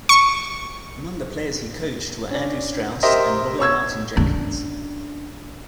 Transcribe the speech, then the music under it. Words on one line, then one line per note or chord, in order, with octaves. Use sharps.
Among the players he coached were Andrew Strauss and Robin Martin-Jenkins.
C#6
C#4 D4
G4 A#4 C5 D#5 E5
C#5 C#6 E6 G#6
C#4 D4